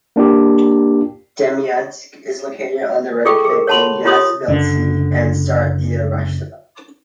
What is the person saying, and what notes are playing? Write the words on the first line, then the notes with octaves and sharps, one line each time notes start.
Demyansk is located on the road connecting Yazhelbitsy and Staraya Russa.
A#3 D4 F4 G4
F4 G#4 A4 G5 C#6
G#4 A#4
C#5 F#5 A5 B5 C6
F4 G4 C#5 C6 D#6
F#1 D3